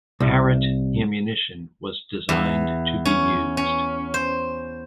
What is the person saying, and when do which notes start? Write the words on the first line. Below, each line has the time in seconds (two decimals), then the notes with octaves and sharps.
Parrott ammunition was designed to be used.
0.20 C2
2.29 E2
3.05 C#4
3.57 C#4
4.14 C5